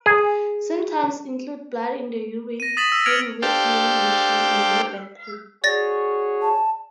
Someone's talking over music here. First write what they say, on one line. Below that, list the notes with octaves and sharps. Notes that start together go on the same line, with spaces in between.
Symptoms include blood in the urine, pain with urination, and low back pain.
G#4
A#6 D#7
D#6 A6 B6 E7 F#7
E6 B6
F6 G#6 C#7 D7 F7
D4 G4 A4 C5 F5 G5
F#4 G#4 C#5 D5 A6 A#6
A5